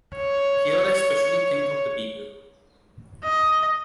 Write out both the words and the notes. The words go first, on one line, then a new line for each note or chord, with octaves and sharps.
Here I specially think of the people.
C#5
D#5